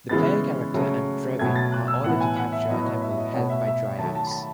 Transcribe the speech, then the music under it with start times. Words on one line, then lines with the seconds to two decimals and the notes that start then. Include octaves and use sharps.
The player character and Drevin are ordered to capture a temple held by dryads.
0.09 C#3 E3 G#3 B3 A6
0.74 C#3 F#3 A3
1.39 B2 F#3 A3 G#6
1.56 A6
1.72 F#6
1.88 E6
2.04 A2 E3 B3 F#5
2.21 G#5
2.36 F#5
2.52 E5
2.69 A2 F#3 B3 D#5
2.85 C#5
3.02 E5
3.18 D#5
3.34 B2 A3 C#5
3.50 E5
3.66 E5
3.99 D#3 F#3 A3 A5
4.15 A5
4.27 B5
4.31 A5